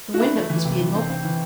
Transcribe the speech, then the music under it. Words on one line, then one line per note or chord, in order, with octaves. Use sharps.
The window was being opened.
F#4
A3 E4
A3
E3
C3
E3
C4
C4
E3